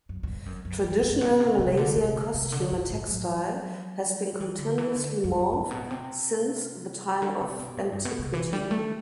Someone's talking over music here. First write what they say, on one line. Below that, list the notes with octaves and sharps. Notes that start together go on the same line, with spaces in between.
Traditional Malaysian costume and textile has been continuously morphed since the time of antiquity.
F#2
F#2
G2
F#2
F#2
F#2
G2
B2
C3
C3
D3
C3
D3
C3
D3
G2
A2
F#3
E3
D3
E3
D3
F#2
F#2
A2
B2
C3
D3
C3
B2
A2
G2
B2
C3
E3
G3
A3